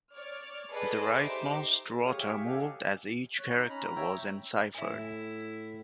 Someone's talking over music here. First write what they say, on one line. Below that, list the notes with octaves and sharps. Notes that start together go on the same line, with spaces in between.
The rightmost rotor moved as each character was enciphered.
C#5 D5 F6
G#4 A4 B4 D5 D#5
D#4 G4 C5 E5 D6
A4
G4 G#4 C#5 F5 D#6
C#5 E5 F5 G5 G#5
G4
G4 A4 D#5 F5 F#5 G#5
C#5 F#6
D#4
C#4 A#5 B5
C#5 E5 G5 A#5
A2 E4 E5 G#5